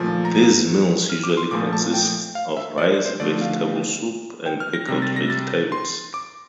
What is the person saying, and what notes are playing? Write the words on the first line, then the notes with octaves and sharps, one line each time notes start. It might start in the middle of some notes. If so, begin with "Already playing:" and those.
These meals usually consist of rice, vegetable soup and pickled vegetables.
Already playing: A#2 F3 A3
A#5
F6
D6
C6
A#2 F3 A3 D6
A5
G5
F5
E5
D5
C5
C5
D3 F3 A3 D5
F5
G5
F6
A#6
C3 G3 A#6
A6
A#6
A6
C6
D6